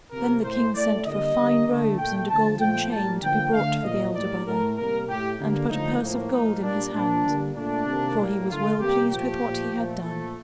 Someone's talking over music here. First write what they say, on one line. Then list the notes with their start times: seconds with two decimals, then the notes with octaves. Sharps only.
Then the king sent for fine robes and a golden chain to be brought for the elder brother, and put a purse of gold in his hand, for he was well pleased with what he had done.
0.11 C3 F3 A#3 A#4
0.43 A2 A3 C5
0.74 A2 A3 D5
1.05 D3 G3 A#3 D#5
1.35 D3 G3 A#3
1.67 D3 A3
1.97 A#2 A3 G5
2.28 D3 F3 A3 A5
2.59 A#2 F3 A3 G5
2.90 A2 G3 A#3 A5
3.22 D3 F3 A#3 G5
3.52 D3 A3 F5
3.83 A#2 F3 A#3 D#5
4.14 A2 G3 A#3 D5
4.46 A2 A3 A#4
4.76 C3 G3 A#3 A#4
5.07 A2 A3 G4
5.38 D3 G3 A#3
5.69 D3 F3 A3 D#4
6.00 A2 F3 A#3
6.32 A2 F3 A#3 D#4
6.62 A#2 G3 A#3 D4
6.93 A#2 F3 A#3 D4
7.25 D3 G3 A#3
7.55 A#2 A3 D4
7.86 C3 D#3 A#3
8.17 A2 G3 A#3
8.49 D3 A3 F4
8.79 C3 G3 A#3 G4
9.10 A#2 F3 A3 G4
9.41 A#2 F3 A3
9.72 A#2 F3 A3
10.02 A#2 F3 A3 A4